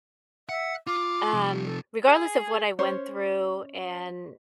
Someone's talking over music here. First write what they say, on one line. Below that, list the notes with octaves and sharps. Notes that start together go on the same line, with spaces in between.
um, regardless of what I went through and,
E5 F#5
F4 D6
C3 F3
A4
G#4
C#4 C5 C#5